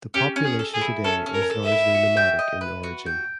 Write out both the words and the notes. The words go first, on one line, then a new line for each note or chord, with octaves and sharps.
The population today is largely nomadic in origin.
C#4 G4
C#4
G#4
A4
G#4
E4
C#4 A4
C#4
A#4
A4
E5
E4
F#4
G5
D#5
B4
F#4
G5